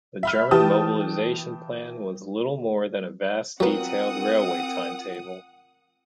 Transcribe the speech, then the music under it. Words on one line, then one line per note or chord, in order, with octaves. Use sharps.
The German mobilization plan was little more than a vast detailed railway timetable.
E5 B5 F6
E3 G4 G5 A5 D#6
F#3 B3 C4 F4 A#4 F#5 D#6